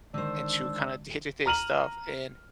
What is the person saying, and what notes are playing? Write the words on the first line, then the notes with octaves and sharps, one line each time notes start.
into kind of day-to day stuff, and
D3 D#3 G#3 D4 C5 E6
A#5 F6 D#7 F#7